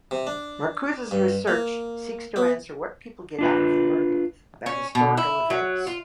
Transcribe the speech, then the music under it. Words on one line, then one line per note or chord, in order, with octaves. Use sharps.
Marcuse's research seeks to answer what people get out of learning about historical events.
C3
D4
G2
A#3
B3
D4 F4 B4
C#4
B2
E4
F#3
F4